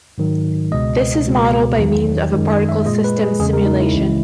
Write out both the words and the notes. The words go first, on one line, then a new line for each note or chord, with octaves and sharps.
This is modelled by means of a particle system simulation.
G#2 D#3 F#3
C#2 B2 G#3 D#5
C#2 B2 G#3
E2 D#3 F#3
F#2 D#3 G#3
E5
A#2 G#3 D#5
B4
G#4
E2 C#3 G#3 G#4
A#4
D#4
E4
C#2 C#3 E3 G#3